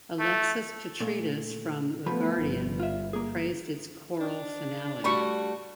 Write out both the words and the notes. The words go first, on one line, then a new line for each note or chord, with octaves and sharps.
Alexis Petridis from "The Guardian" praised its choral finale.
A3
A#2 A3
F3 A3 B3 B4
G1
F4 E5
A#3 G#4
D4
G3 A3 F#4 B5 C#6